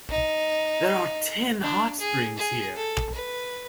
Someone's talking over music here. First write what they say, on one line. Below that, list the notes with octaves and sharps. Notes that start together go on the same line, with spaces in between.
There are ten hot springs here.
D#4
D4
G#4
G#4
A4
B4